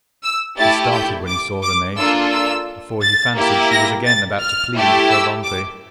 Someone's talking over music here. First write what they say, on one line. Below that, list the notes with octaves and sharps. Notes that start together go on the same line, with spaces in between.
He started when he saw Renee, for he fancied she was again about to plead for Dantes.
E6
A3 E4 G4 A6
G6
D6
D6
A#3 D4 F4 A4 E6
E6
A6
A#3 E4 G4
A#6
A6
F6
A3 E4 G4
E6
D6